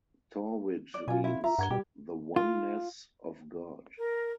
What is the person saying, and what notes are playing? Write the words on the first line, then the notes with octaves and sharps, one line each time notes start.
Tawhid means "the oneness of God".
D5
B2 F4 G#5
E4 F4
F4 E5 A#5
G2 F#5 G#6 G7
B2 G3 G4
F4
A#4